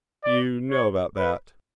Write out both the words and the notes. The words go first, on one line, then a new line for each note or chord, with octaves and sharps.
"You know about that?"
D5
C#5
B4